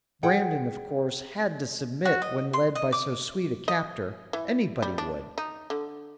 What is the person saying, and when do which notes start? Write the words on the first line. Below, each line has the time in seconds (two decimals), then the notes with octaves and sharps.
Brandon, of course, had to submit when led by so sweet a captor--anybody would.
0.23 G#4 F#5 G5
2.05 F#4
2.22 D#5
2.53 C6
2.75 D#5
2.92 D6
3.68 D#5
4.33 E3
4.82 G3
4.98 D4
5.38 D#4
5.70 D3